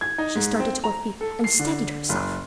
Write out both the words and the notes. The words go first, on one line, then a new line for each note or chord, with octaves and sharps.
She started to her feet, and steadied herself!
G#6
D#4
G#2
C4
A#5
A4
C7
D3
F#1